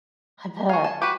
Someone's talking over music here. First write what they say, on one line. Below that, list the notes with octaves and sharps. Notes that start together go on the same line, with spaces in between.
I bet.
F#4 F5 G#5
A5
F#4 G4 B4